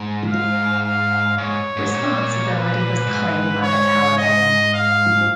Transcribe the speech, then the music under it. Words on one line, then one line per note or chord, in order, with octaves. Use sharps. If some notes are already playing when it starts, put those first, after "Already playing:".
Responsibility was claimed by the Taliban.
Already playing: G#2
F5
F5
G#2 C#5
G#2
A#2
B4
G#2
C#5
D#5
F5